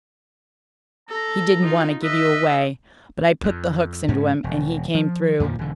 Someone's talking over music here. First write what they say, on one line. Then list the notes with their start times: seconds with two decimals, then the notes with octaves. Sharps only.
He didn't want to give you away, but I put the hooks into him, and he came through.
1.09 A4 A#5
1.62 D#4 F4
2.03 B4 D#5 E5
3.43 F2
4.08 G#2 C#4
4.44 E1
4.95 F3
5.40 F2 A#2 D#3 F3
5.59 E1 D3